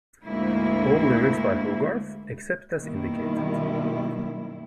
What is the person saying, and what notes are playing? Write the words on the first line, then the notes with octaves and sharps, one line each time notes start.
All lyrics by Hogarth except as indicated.
D2 G#2 A#3 E4
F#2 B2 D#3 G3 A#3 E4